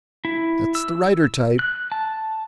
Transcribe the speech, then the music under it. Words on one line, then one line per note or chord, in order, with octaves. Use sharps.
'That's the writer-type.
E4
E6
F#6
A5